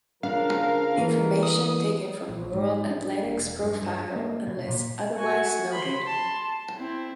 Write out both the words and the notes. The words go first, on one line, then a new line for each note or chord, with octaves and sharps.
Information taken from World Athletics profile unless otherwise noted.
C#3 F3 D4 A#4 F5
E2 E3
D#6
A#1
G#2
D4
E1
G2
G2
A#3
B2
A#2
F#4 G#5
B5 C6
A5 C6
A5
C4 E4